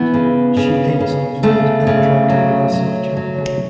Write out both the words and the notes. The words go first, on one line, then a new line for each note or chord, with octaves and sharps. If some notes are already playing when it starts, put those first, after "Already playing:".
She ate some food and drank a glass of champagne.
Already playing: E3 B3
C#3
C#3
C#3
C#3 A3
C#3
F#3
F#3
F#3